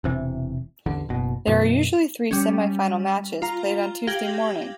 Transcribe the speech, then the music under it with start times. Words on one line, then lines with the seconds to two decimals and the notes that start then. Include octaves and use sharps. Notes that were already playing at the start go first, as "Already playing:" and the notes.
There are usually three semifinal matches played on Tuesday morning.
0.04 E1 C3 E3
0.86 A1 E2 D3
1.09 F#1 B2
1.47 F#2 B2 E3
2.31 G3 C#4
3.42 F4 A#5
4.07 G4 F5 G#6 A#6 F#7 G7